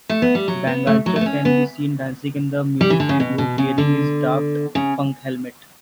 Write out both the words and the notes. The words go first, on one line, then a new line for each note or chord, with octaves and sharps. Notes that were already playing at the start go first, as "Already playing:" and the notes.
Bangalter can be seen dancing in the music video, wearing his Daft Punk helmet.
A3
B3
G3
F#3
B3
A3
F#3
A3
B3
C#4
B3
G3
E3
D3
C#3
B2
B2
C#3
D3
C#3